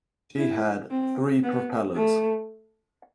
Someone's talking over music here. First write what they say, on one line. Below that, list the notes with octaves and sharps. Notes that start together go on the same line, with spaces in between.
She had three propellers.
E4
C4
B3
A3